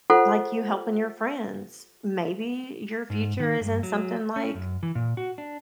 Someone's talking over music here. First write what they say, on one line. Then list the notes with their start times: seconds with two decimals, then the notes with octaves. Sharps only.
like you helping your friends, maybe your future is in something like
0.10 F4 A4 C5 F#5
3.10 G#2
3.40 D#3
3.61 G2
3.83 F#3
4.36 C#4
4.54 F#2
4.83 E3
4.95 A#2
5.17 F#4
5.38 D4